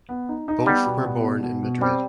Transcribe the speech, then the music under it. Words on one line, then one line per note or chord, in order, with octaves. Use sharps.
Both were born in Madrid.
B3
D#4
D#4
G3 B3
B2
B3
B2
B2
B2
G3 C4